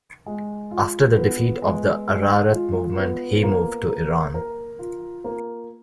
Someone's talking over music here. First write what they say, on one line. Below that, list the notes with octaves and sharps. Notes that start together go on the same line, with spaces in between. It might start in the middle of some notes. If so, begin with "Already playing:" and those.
After the defeat of the Ararat movement, he moved to Iran.
G#3
F4
B3
G#3
G#3
F4
B3
A#3
A#3
A#4
F4
A#3